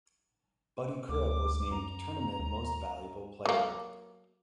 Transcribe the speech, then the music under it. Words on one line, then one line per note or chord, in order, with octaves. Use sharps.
Buddy Cribb was named Tournament Most Valuable Player.
D2 D6
F#2 A#5
D#2
F#3 A#3